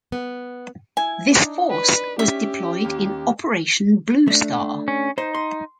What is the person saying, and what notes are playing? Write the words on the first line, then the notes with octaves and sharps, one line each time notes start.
This force was deployed in Operation Blue Star.
B3
E4 G#5
D4 D#4
B4
C#4 G4 E5
D#2
A3 D4
C#4
D#4 C5
C6